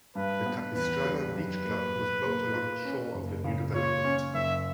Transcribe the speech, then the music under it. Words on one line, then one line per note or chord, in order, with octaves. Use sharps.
The Capistrano Beach club was built along the shore of the new development.
G2 B4
B3
E2 B4
G3
F#2 B4
A#3
B1
A#3
A#2
C#4
F#1
C#3
A#2 C#5
C#4
F#1 E5